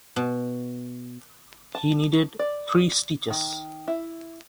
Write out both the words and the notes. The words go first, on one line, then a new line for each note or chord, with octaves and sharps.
He needed three stitches.
B2
A5
D5
D#3
E4